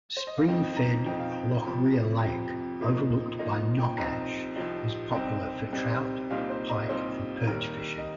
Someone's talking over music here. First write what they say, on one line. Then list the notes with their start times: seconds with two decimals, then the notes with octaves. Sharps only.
Spring-fed, Loughrea Lake overlooked by Knockash is popular for trout, pike and perch fishing.
0.17 C5
0.27 D#5
0.38 F5
0.48 F2 F3 C4 D#4 G5
0.77 A#5
1.06 F2 F3 C4 D#4 G5
1.19 F5
1.32 G5
1.65 F2 C3 F3
2.23 F2 C3 F3 G5
2.81 A#2 F3 A#3 D#4
3.39 A#2 F3 A#3 D#4 D#5
3.78 G5
3.97 C2 C3 F3 C4 D#4 A#5
4.56 C2 C3 F3 C4 D#4
5.14 C2 C3 G3 C4 D#4 G5
5.72 C2 C3 G3 C4 D#4
6.30 C2 A#2 G3 C4 D#4 F5
6.50 C5
6.70 D#5
6.89 C2 A#2 G3 C4 D#4 C5
7.47 D#2 D#3 G3 A#4
7.98 D#5